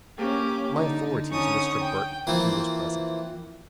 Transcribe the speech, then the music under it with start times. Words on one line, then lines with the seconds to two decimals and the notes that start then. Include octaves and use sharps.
"My authority is Mr. Burton, who was present."
0.17 A#3 C#4 G4 D6
0.77 D3 D#4
1.31 D3 C#4 D#4 C#6 D#6
1.80 G5
2.27 E3 F3 A#3 C4